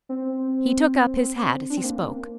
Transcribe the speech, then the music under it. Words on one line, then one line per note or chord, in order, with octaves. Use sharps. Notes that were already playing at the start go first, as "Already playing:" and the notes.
He took up his hat as he spoke.
C4
D4
C4
A#3